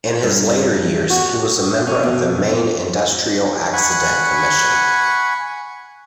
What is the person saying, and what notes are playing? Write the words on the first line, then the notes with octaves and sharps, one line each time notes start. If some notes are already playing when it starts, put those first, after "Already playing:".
In his later years he was a member of the Maine Industrial Accident Commission.
G2
F#4
C#4
B2
F#5 G#5 B5 C#6